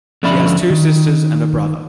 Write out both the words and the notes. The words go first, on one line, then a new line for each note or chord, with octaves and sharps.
She has two sisters and a brother.
D3 F3 C#4 D5 E5 B5
D#3